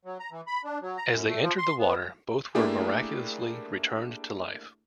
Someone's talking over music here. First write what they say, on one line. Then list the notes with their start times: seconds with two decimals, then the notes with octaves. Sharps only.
As they entered the water, both were miraculously returned to life.
0.05 F#3
0.19 A#5
0.32 E3
0.47 B5
0.64 D4
0.82 F#3
0.97 A#5
1.11 F#2
1.27 A3
1.41 F3
1.58 C6
1.79 B3
2.55 A3 A#3 D4 E4 G4 G#4